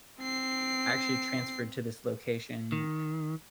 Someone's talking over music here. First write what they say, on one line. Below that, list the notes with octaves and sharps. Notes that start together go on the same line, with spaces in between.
I actually transferred to this location.
C4 C7
D#3